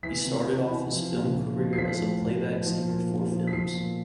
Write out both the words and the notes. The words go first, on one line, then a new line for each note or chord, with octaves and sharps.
He started off his film career as a playback singer for films.
E3 B6
C3
C3
E3
F3
A#2
A#2
F3
C7
F3 B6
A2
A2
F3
F3
A#2
A#2
F3
B6
F3 C7
A#2